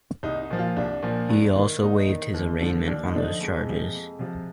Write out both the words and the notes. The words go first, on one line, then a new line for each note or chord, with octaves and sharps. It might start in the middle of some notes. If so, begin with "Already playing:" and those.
He also waived his arraignment on those charges.
C2 D#4
D#4
A#2 F3
F4
C2 D4
A#2 F3
G2
D#3
G2 D#4
D#3
D#2
D3 F3
D#2 D4
D#4
D3 F3 D4
D#4
F2 G#3
C3 F3
F2
C3 F3